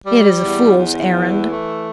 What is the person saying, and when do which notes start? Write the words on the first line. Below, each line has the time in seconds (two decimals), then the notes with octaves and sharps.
"It is a fool's errand."
0.04 G3
0.40 E2
0.77 E2
1.13 E3
1.50 A3